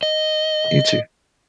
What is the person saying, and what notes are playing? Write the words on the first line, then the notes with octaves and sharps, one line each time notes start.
You too.
D#5